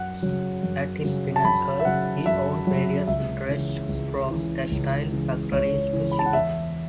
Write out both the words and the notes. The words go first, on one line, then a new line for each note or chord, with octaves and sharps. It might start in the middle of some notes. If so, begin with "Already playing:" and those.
At his pinnacle he owned various interests from textile factories to shipping.
Already playing: F#2 F#5
C#3 F#3
F#2
C#3 F#3
A5
F#2 B5
E5
C#3 F#3 F#5
F#2 E5
C#3 F#3
C#2 E5
C#3 E3
C#2
C#3 E3
C#2
C#3 E3
C#2 C#5
C#3 E3
B5
A5
F#5
E2 E5